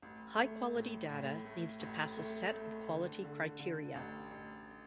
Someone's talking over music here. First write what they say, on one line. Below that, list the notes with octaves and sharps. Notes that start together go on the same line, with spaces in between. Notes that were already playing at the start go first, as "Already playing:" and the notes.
High-quality data needs to pass a set of quality criteria.
A1
A3
A2
A2
A3
A1
A3
A3
D3
D3
D3
A1
A1